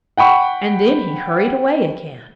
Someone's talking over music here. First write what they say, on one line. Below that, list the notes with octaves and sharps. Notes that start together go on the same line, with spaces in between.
And then he hurried away again.
F#5 G5 B5 C#6